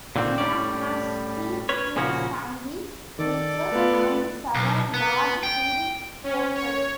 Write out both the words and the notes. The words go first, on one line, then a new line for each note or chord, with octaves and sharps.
Neum has steep hills, sandy beaches, and several large tourist hotels.
A#2 D3 D#3 C4
A2 G3 C#4 D5
C#4 B4 C#5
A#2 C#3 F3 A#3 C#4 F#4
D#3 A4 D5 D6
A3 B3 F4
B1
B3
G5
C#4
C#5